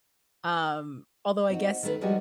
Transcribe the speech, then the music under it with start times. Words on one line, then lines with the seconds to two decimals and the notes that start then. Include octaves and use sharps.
Um, although I guess
1.50 C4 D#4 F#4
1.83 D#3 A3 B4
2.01 F3 G3 G#3 D#4 F#4 G4